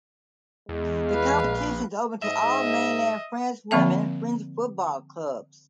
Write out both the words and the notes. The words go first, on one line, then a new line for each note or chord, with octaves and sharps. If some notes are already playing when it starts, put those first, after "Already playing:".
The competition is open to all Mainland France women French football clubs.
E2 G#3
B4 F5
A#1
G#2 D#5 E5
D3 F3 A#3 C4 E5 A5